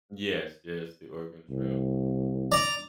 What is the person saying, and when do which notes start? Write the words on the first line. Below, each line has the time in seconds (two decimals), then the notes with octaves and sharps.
Yes, yes. The Oregon Trail.
1.50 C2
2.52 D5 A#5